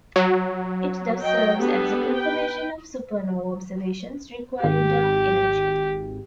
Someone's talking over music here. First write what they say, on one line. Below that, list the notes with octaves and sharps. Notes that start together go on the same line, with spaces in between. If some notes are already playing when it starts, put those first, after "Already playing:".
It thus serves as a confirmation of supernova observations requiring dark energy.
F#3
D#5 G5
B3 D4 G4 A4
B4 G5
G#1 G4